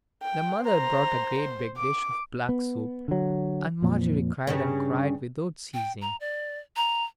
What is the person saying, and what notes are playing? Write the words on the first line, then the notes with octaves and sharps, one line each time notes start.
The mother brought a great big dish of black soup, and Margery cried and cried without ceasing.
G5
C5 A#5
C5
D6
B3
D3 F#3
F2 A#2 F3
G2 C#3 C#4
G5
A#5
D5
A#5